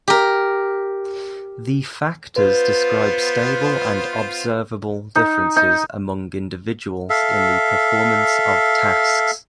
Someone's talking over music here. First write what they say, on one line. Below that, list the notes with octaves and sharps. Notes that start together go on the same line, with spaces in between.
The factors describe stable and observable differences among individuals in the performance of tasks.
G4 A#4
B3 F4 B4 C5
D#4
D#4
A4 E5 F5